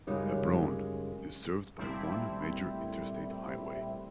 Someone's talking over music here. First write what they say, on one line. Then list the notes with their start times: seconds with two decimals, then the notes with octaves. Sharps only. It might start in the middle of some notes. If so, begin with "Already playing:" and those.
Hebron is served by one major interstate highway.
0.07 F#2 C#3 G3 G#3 D#4
1.78 A#2 G3 A3 C4 E4